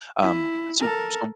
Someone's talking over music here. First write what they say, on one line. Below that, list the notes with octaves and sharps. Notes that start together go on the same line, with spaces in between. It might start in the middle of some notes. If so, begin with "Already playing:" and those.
Um, so so
E4
A4 A#4